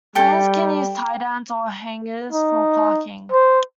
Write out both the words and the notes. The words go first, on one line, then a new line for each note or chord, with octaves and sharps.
Planes can use tiedowns or hangars for parking.
G3 G4 A4 G5
D#4
C5